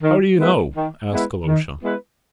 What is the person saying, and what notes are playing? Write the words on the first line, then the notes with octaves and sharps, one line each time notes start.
"How do you know?" asked Alyosha.
D#3
G#3 B3 E4 B4
D#3
G#3 B3 E4 B4
D#3
G#3 B3 E4 B4